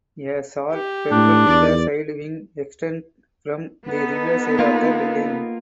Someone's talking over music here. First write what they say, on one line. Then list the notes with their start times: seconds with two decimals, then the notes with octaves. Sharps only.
A short perpendicular side wing extends from the rear side of the building.
0.72 G4
1.11 A2 D4
1.48 E2 D5
3.87 B3 D#4 A4
4.59 A#3 F4